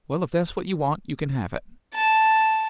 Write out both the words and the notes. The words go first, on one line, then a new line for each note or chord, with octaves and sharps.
Well, if that's what you want, you can have it.
A5